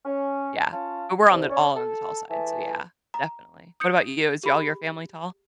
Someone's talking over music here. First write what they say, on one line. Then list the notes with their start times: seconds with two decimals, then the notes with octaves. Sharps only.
yeah. But we're on the all on the tall side, so yeah, definitely. What about you? Is all your family tall?
0.05 C#4
0.73 C#4 F4 A5
1.30 C2
1.49 C#4 C#5 D5
1.76 A4
2.30 E3 A3 G#4 E5 A5
3.14 A#5
3.80 D#6 G6 C#7
4.43 G4 G#4 B5